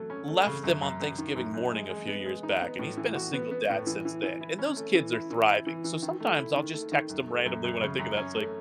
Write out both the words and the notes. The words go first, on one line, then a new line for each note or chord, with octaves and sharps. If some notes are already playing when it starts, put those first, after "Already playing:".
"left them on Thanksgiving morning a few years back, and he's been a single dad since then, and those kids are thriving." So sometimes I'll just text him randomly when I think of that. It's like,
Already playing: F#3 A3
C#4
A3
C#3
F#2
F#2
F#2
D#3
F#2
F#2
G#3
G#3
B3
G#3
D#4
B3
A2
E3
F#4
B3
B3
A2
E3
E3
E3
E4
C#4
A3
E3
E4
E3
E4
E3
E3
D#3
A3
E4
D#3
A3
D#3
F#2
A3
F#2
F#2
C#3
F#2
C#4
A3